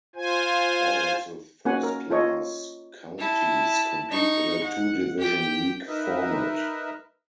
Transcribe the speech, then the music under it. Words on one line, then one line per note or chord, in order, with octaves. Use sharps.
All of the first-class counties compete in a two-division league format.
F4 C5 G#5
A#3 C#4 F#4 F#5 G#5
A#4
F4 A4 C#5 D#5
E4 A5
D#4 C#6
F#5
G4 G5
D#4 A#4 B4 D#5 E5